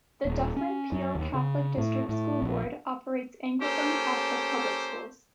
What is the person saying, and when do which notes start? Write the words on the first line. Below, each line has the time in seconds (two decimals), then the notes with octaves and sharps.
The Dufferin-Peel Catholic District School Board operates Anglophone Catholic public schools.
0.25 D#1
0.56 C#4
0.92 F#2
1.15 D#2
1.34 C#3
1.77 A2
2.09 A2
2.42 A#1
3.61 A#3 C#4 G4 A4 C5